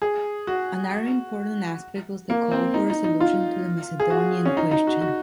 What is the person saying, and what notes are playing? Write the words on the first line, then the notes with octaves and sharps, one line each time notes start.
Another important aspect was the call for a solution to the Macedonian Question.
G#4
F#4
A#3
C4
D#4
D#4
D#4
F4
G#4
F#4
C#4
D#4
D#4
F#4
F#4